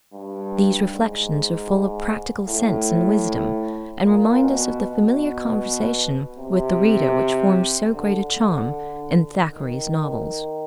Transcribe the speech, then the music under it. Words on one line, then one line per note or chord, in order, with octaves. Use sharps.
These reflections are full of practical sense and wisdom, and remind us of the familiar conversation with the reader which forms so great a charm in Thackeray's novels.
G2
G#2
A2
A#2
B2
B2
C3
D3
D#3